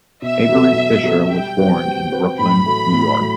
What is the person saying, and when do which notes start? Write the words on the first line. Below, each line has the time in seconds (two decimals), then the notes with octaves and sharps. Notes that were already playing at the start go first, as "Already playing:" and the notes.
Avery Fisher was born in Brooklyn, New York.
0.22 B2 E5
0.49 F#3 B3 F#4 A4
0.76 B2
1.03 F#3 B3 F#4 A4
1.30 G3 G5
1.58 C4 F#4 B4
1.85 G3
2.12 C4 F#4 B4
2.39 A2 B5
2.66 F#3 A3
2.93 A2
3.20 F#3 A3